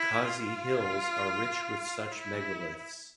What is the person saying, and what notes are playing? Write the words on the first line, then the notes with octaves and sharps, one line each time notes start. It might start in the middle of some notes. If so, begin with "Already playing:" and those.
Khasi Hills are rich with such megaliths.
Already playing: E4
F4
E4